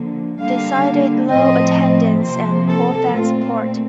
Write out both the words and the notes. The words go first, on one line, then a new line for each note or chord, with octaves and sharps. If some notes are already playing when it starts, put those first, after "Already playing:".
They cited low attendance and poor fan support.
Already playing: D3 F3 A#3
D3 G3 A#3 F5
A2 F3 A3 C4 D#5
C3 F3 A#3 C5
A4
A#2 A3 C4 F4